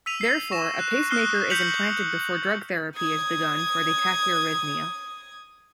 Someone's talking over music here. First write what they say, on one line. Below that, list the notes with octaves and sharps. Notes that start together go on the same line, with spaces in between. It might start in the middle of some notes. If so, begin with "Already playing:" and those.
Therefore, a pacemaker is implanted before drug therapy is begun for the tachyarrhythmia.
E6 B6 D#7 F7
C7
C#6 A#6 E7
F#6
C#6 D#6 F6 F#6 C7 G7
G6 B6 C#7 F7 F#7
D#6 G#6